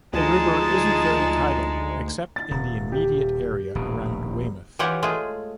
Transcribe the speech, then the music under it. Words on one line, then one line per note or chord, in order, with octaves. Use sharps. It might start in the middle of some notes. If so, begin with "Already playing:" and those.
The river isn't very tidal except in the immediate area around Weymouth.
D2 F3 G#3 D#4 G#4 A5
A6
D#1
G4
D#1 A#1 B2
E3 F4 G4 C#5 F#5
G#3 A3 F4 G#4